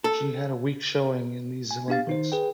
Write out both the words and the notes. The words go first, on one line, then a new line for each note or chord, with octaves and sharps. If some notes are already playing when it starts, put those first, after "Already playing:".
She had a weak showing in these Olympics.
A4
G#5
B3 D4 G4 F5 A6
D#3 D#4 C5
G#4 B4 G5